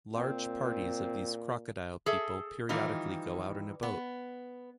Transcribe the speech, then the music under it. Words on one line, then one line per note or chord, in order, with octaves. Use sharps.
Large parties of these crocodile people periodically go out in a boat.
A#2 C4
G#4 A4 E5
D#3 E3 G3 D#4 F4
B3